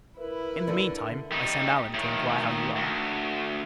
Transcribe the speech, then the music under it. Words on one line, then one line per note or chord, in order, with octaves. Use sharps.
In the mean time, I send Allen to inquire how you are.
E4 A#4 B4
D3 D4
G3 D#4
A2 D#3
D2